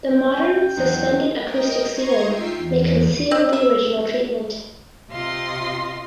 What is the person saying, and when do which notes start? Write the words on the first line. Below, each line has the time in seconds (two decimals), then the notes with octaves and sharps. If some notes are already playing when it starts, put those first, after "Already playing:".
The modern suspended acoustic ceiling may conceal the original treatment.
0.11 C#4 G5
0.77 E2 F#3 B3 C4 D4 D#4
1.38 A#4 D#5 G5
1.89 A#5 C6 C#6 D#6 G#6
2.22 D#4 F4 E5 G5 C7
2.55 E2
3.31 C4
3.53 E5
5.10 C3 F4 D#5 C6